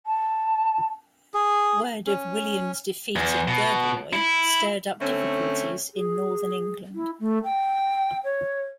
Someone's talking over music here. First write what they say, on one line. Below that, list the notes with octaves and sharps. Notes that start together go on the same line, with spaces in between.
Word of William's defeat at Gerberoi stirred up difficulties in northern England.
A5
G#4
C#4
E2
B2
E4
D3 A3 C4 C#4
G#4
E4
A3
G5
C#5